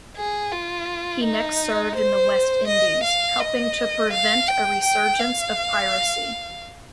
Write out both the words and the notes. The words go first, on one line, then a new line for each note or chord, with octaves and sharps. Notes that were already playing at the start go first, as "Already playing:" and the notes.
He next served in the West Indies, helping to prevent a resurgence of piracy.
G#4
F4
D#4
C5
D#5
F5
D#5
F5
G5
G5
F5